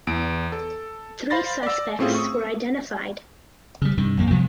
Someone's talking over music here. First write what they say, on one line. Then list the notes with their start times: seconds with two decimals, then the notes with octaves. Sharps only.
Three suspects were identified.
0.07 E2 D7
0.52 A4
1.30 C5 F5 B5 C6 A6 A#6
1.63 D5 E6
1.99 A2 A3 C4 C#4 F4 G#4
2.15 C#6 D#6
3.82 C#3 G3
3.97 G2 C3 D#3
4.17 A#1 F2 A#3
4.31 C3 F3 G#3 B3